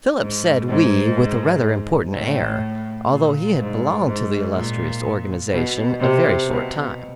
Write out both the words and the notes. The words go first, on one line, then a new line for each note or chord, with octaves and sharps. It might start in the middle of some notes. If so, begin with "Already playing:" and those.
Philip said "we" with a rather important air, although he had belonged to the illustrious organization a very short time.
G#2
G#2
A2
A#2
G#2
G#2
A#2
B2
C3
B2